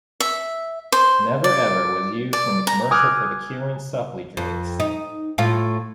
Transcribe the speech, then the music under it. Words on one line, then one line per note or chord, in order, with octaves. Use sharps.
"Never Ever" was used in a commercial for the Kirin Supli drinks.
E5
C5
D5
D5
A#5
G#5 D6 D#6 F6 F#6
F2
D#4
A2 F4